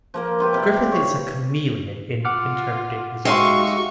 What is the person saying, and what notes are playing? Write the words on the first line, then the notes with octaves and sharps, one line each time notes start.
Griffith is a chameleon in interpreting his authors.
F3 A#3 A#4
E4 F4 G4 B4
C3 D5
C#5
F4 F#5 D6 F6
G#3 D#4 F#4 G4 E5 F5 C6 C#6